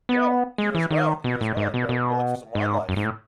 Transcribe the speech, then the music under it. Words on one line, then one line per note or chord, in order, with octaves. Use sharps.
yeah, you as well, you as well, and go go look for some wildlife.
B3
G#3
E3
D#3
B2
A2
G#2
B2
B2
G#2
F#2
G#2
A2